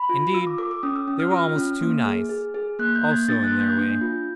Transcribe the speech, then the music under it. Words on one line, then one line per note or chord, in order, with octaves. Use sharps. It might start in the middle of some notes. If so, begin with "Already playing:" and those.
Indeed, they were almost too nice--also in their way.
Already playing: B5
F4
F4 E6
D6
A4 D6
D6
C#4 D#6
E6
C#4
F6
F4 F6
C#4
A#3
G#4
G#4
G#4
A#3 F#6
G6
A#3
G#6
D4 A6
F#6
A#3
G6
D4
F4